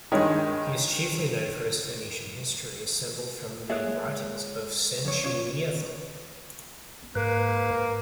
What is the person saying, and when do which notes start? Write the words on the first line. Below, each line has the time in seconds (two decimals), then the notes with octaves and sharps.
He is chiefly known for his Phoenician history assembled from the writings of "Sanchuniathon".
0.12 G2 D#3 G#3 C#5
3.70 A#3 G#4 C#5 E5 F#6
3.88 G#3
5.05 F2 C#5
5.24 C#4 F4 C#5
7.15 G#2 A#3 B4